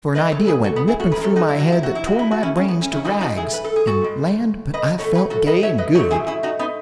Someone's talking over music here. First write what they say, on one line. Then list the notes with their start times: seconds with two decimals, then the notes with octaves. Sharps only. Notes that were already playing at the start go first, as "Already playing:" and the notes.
For an idea went ripping through my head that tore my brains to rags--and land, but I felt gay and good!
0.15 A2 G#3 B4 D#5
0.32 A4 C#5
0.47 G#4 B4
0.64 F#4 A4
0.76 B3
0.88 E4 G#4
1.00 F#4 A4
1.11 F#2 C#3 G#3 G#4 B4
1.24 A4 C#5
1.36 D#4 F#4
1.49 E4
1.60 F#4
1.72 E4
1.83 F#4
1.95 E4
2.07 A2 G#3 F#4
2.19 E4
2.31 F#4
2.43 C#4 E4
2.57 C#4
2.68 B3
2.82 C#4
2.93 C#4 E4
3.05 G#2 E3 A3 D#4 F#4
3.21 D#4 F#4
3.37 E4 G#4
3.53 B4
3.64 A4
3.76 G#4
3.87 F#4 A4
4.01 A2 G#3
4.74 B4 D#5
4.98 B2 A3 A4 C#5
5.15 G#4 B4
5.30 F#4 A4
5.46 B4 D#5
5.62 C#5 E5
5.78 B4 D#5
5.95 G#2 F#3 A3 A4 C#5
6.11 E4 G#4
6.27 E4 G#4
6.43 D#4 F#4
6.59 B3 D#4